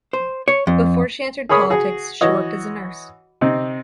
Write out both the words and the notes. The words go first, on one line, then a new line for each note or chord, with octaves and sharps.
Before she entered politics she worked as a nurse.
C5
C#5
F2
G#4 A#4 C#5 B5 D#6
F#4 G#4
E3 F#4 C#5 D#5
C3 C4 D#4